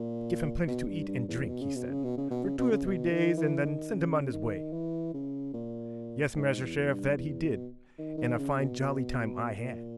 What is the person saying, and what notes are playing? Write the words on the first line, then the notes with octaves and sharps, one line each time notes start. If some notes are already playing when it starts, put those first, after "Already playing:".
'Give him plenty to eat and drink,' he said, 'for two or three days, and then send him on his way.' Yes, Master Sheriff, that he did, and a fine jolly time I had.
Already playing: A#2
B2
G2
G2
E2
B2
C#3
B2
C#3
B2
C#3
B2
C#3
B2
C#3
B2
D#3
E3
D#3
C#3
D#3
E3
C#3
A#2
G#2
E2
G2
E2
B2
D#3
D#3
C#3
B2
B2
A#2